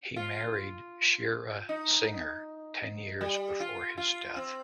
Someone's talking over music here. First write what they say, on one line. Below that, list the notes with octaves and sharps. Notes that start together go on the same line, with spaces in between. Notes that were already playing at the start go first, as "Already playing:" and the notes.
He married Shira Singer ten years before his death.
F4
D#4
G3
F4
F4
C4